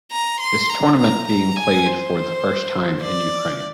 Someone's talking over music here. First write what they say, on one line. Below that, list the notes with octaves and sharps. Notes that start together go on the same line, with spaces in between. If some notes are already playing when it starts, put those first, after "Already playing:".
This tournament being played for the first time in Ukraine.
A#5
C6
A#5
A#5
A#5
G#5
C5
D5